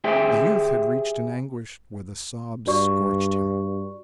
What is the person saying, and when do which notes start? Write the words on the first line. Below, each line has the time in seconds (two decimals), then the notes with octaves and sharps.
The youth had reached an anguish where the sobs scorched him.
0.04 G4 G#4 C5 E5 G5
2.67 G2 F#4 D5 C#6